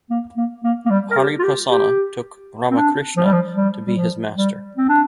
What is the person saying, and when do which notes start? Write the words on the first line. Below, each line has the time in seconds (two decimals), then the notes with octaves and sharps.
Hariprasanna took Ramakrishna to be his Master.
0.10 A#3
0.37 A#3
0.64 A#3
0.86 A#3
0.90 G3
1.11 A#4
1.17 G4
1.39 F4
1.44 G4
1.70 G4
2.71 C4
2.77 D4
3.17 F3
3.25 G3
3.33 F3
3.56 G3
3.87 G3
3.97 F3
4.37 G3
4.77 C4
4.89 D4